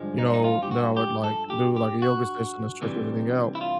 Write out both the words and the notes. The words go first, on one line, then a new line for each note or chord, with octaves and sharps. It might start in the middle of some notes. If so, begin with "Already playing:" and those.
you know, then I would, like, do, like, a yoga session to stretch everything out,
Already playing: G2 D3 F3 G#3
D#4
D4
D#4
F4
G4
F#4
G4
A4
G4
G4
F#4
D2 C3 E3 G3
E4
F4